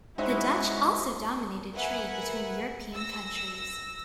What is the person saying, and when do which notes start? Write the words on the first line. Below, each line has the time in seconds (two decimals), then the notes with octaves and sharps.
The Dutch also dominated trade between European countries.
0.18 G#3 C#4 D#4 E4 F#4 C5 E5
1.76 A#4 B4 E5 F#5 G#5
2.94 E6 A#6